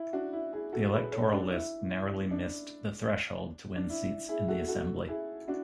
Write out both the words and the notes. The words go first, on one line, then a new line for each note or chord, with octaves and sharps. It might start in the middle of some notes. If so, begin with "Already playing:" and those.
The electoral list narrowly missed the threshold to win seats in the assembly.
Already playing: E4
D4 F#4
E4
E4 G#4
F#4 A4
G#4 B4
A4 C#5
D4 F#4
E4
D4
D4
E4
E4 G#4
F#4 A4
F#4 A4
E4 G#4
D4 F#4